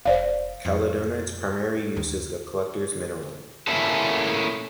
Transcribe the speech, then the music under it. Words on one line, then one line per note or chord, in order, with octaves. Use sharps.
Caledonite's primary use is a collector's mineral.
F1 C5 D5 F5
F2
D#2
A3 A#3 C#4 E4 G#4 A4